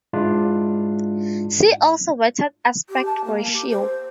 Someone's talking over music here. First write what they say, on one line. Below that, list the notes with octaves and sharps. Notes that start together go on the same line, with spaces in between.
See also Wetted aspect ratio.
G#2 G#3 D4 E4 F4
G4
A5
A#3
G4
C5